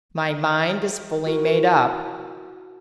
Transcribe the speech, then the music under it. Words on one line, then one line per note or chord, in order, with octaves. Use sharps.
"My mind is fully made up."
E4 F#4 A#4